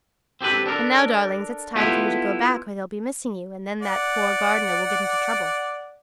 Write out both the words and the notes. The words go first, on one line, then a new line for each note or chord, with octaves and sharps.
"And now darlings it's time for you to go back or they'll be missing you and then that poor Gardener will get into trouble!"
C4 G4 A4 B4
D4 A4 A#4
B3 E4 F4 G4 A4 B4
D5 F#5